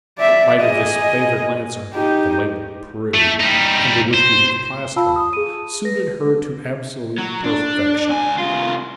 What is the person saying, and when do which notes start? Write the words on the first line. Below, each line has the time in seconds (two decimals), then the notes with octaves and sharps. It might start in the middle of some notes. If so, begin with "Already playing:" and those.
In spite of this favored Lancer, the label: Prude, under which we have classed her, suited her to absolute perfection.
0.18 D5 E5
0.61 G#4 D#5
1.94 D#4 G4
3.14 A3
3.40 G3 D#4
4.14 C5
4.96 F4 F5 A5 B5 E6
5.16 D#6
5.33 G#4 D#7
5.85 B4 A#6
7.18 F#3
7.43 D4
8.09 C#2 G#5
8.38 C2 F4